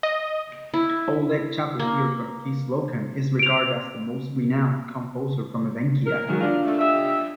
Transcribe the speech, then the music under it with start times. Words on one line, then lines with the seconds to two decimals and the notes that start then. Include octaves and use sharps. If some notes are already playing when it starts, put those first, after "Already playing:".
Oleg Chapogir from Kislokan is regarded as the most renowned composer from Evenkia.
0.03 D#5
0.74 E4
1.79 A#3
3.39 D7 F7
6.06 A#4
6.29 G#2 D#3 F#3
6.41 D4 F4
6.64 A3
6.79 G4 D#5 E5